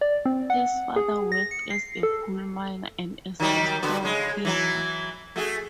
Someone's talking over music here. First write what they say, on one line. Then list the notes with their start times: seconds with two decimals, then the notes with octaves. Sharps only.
His father worked as a coal miner and as a storekeeper.
0.01 D5
0.26 C4
0.50 F#5
0.96 G#4
1.32 A#6
1.51 C#7
1.70 C7
2.03 A4
3.40 D#3 F#3 G3
3.83 D3 B3 F#4
4.03 C#3 G#3
4.45 E3 F#3
5.36 A3 F#4 G#4